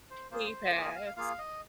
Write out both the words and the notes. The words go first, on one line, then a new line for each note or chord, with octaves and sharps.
he passed.
C5
A#3 F4 G#4 C5
A#3 F4 G#4 D5
G#5
F5
F5
A#3 F4 G#4 F5
D#5